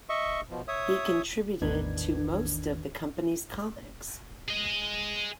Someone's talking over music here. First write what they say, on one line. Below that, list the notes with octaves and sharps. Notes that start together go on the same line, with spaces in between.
He contributed to most of the company's comics.
D#5 E5 C#6
B2 F3
C#5 E5 D#6
A1 E2 D#3 D4 B4 G#6
G#4 D#5